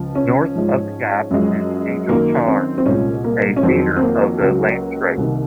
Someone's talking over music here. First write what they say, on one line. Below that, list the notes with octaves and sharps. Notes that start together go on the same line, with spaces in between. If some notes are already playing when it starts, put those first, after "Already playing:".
North of the gap is Angle Tarn, a feeder of the Langstrath.
Already playing: C#2 C#3 F3
C#4
G#2 F3 G#3
F#2 F3 G#3
F#2 D#3 F#3 A#3
C4
C4
C2 A#2 G#3 C#4
A#3
C#4
F2 D#3 F#3 C4
C4
A#3
C#2 C#3 F#3
C2 C3 D#3